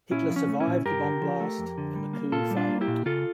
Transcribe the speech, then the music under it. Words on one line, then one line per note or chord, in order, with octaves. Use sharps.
Hitler survived the bomb blast and the coup failed.
A#2 C#4 E4
F3
C#4
A3
C#4 E4
A#2
G2 G4 A#4
D3
F3
A3
F2
D3
G3
A#3
A#2 F4 A4
G3
D4 F4
A#3
E4 G4
A#2
C#3 F4 A4